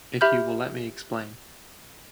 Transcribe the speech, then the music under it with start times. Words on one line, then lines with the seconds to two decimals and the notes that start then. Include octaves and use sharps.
If you will let me explain.
0.21 G4 E5 B5 F6 G6